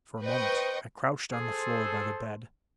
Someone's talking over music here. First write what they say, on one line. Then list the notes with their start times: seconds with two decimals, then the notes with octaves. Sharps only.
For a moment I crouched on the floor by the bed.
0.22 B4 C5 D#5 G5 C#6 D#6
1.32 G#4 A4 C5